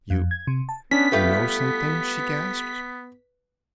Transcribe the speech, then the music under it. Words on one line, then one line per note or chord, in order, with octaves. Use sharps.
"You--you know something?" she gasped.
F2
G#6
C3
A5
B3 C#4 D4 B6
G3 A3 F4 B4